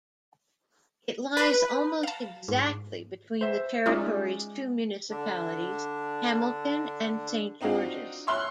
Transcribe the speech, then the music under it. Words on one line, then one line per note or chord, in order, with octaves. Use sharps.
It lies almost exactly between the territory's two municipalities, Hamilton and Saint George's.
B4
F5 A5
G#2
C5 E5
G#3 C#4 D#4 F4 D5 E5
D3 D4
C4 D4 D#4 F4 F#4
C#5 E5 C6 F6 F#6